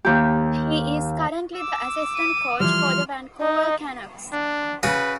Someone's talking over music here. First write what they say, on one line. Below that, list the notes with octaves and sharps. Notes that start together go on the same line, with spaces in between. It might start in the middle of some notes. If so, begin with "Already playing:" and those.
He is currently the assistant coach for the Vancouver Canucks.
D#2 G4
D6 E6
D#7
E3 F3 G3 C6 F6
D#4
D4
C#3 F#4 B4 D#6